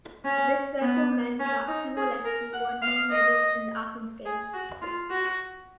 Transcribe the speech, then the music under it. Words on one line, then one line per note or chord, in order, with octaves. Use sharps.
This therefore meant that Timor-Leste won no medals in the Athens Games.
C#4
B3
C#4
D#4
G#4
A#4
F#5
F5
D#5
G#4
F#4
F4
F#4